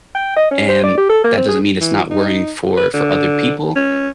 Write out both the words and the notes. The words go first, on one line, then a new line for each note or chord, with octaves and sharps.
And that doesn't mean it's not worrying for for other people,
G5
D#5
C#4
C5
D5
G4
A4
A#3
C4
G#4
E3
D#4
B4
D3
C#4